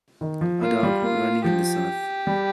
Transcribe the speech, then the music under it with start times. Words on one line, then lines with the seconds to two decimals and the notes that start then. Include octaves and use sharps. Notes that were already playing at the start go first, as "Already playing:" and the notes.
A dog running in the surf.
0.21 D#3
0.41 F3
0.61 A#3 F4
0.83 G3
1.02 A#3 F4
1.44 F3 G4
2.27 G3